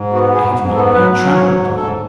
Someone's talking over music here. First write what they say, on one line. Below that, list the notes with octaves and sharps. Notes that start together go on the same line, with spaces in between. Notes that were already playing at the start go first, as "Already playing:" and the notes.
I have not been trampled on.
Already playing: G#2
B3 F#4
G#2 G#4
G#2
B3 A4
F#3 B4
F#3
G#2 C#5
G#2
G#2 A4